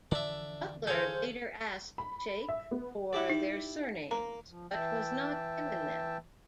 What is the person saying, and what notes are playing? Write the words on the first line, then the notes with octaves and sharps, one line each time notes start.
Butler later asked Shaikh for their surnames, but was not given them.
D3 E3 F3 D4 E5
G#4 A4 C5 C#5 F5 G6
B5
E5
B3
E4 G4 D5
D#4
A#3 A#5
F3
E3 E5 G5 A5